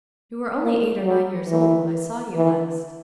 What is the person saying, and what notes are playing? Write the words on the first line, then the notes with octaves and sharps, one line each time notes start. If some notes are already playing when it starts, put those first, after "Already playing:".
"You were only eight or nine years old when I saw you last."
A#3
F#3
E3
E3